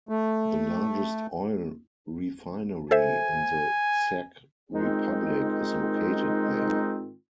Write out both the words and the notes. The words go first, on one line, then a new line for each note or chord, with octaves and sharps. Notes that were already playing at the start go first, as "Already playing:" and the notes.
The largest oil refinery in the Czech Republic is located there.
A3
A4 C5 E5 G#5
G#2 D#3 G#3 C4 D#4 F4